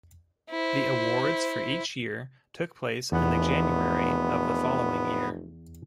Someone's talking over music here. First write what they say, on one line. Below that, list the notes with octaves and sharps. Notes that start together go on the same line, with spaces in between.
The awards for each year took place in the January of the following year.
E4 C5
F1 E2 B3 F#5